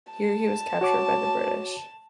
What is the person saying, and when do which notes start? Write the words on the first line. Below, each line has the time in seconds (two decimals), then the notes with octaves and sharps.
Here he was captured by the British.
0.12 A5
0.81 F#4 C#5 D6